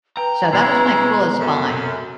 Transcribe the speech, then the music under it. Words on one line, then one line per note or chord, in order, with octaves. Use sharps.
So that was my coolest find.
B4 G5 A#5
B2 G#3 C#4 E4 G#4
F#2 A4